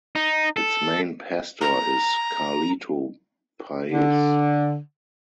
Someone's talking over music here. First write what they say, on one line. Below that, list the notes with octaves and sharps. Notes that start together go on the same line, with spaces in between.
Its main pastor is Carlito Paes.
D#4
A4
A#5
D3